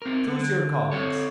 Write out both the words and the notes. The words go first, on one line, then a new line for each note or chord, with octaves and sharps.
"Choose your colleagues."
C4 A#4
D3
C4 A4 C#5